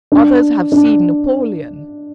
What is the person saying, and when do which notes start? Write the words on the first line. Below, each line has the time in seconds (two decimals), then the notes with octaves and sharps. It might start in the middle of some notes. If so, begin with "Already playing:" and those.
Others have seen Napoleon.
0.12 D4
0.72 D4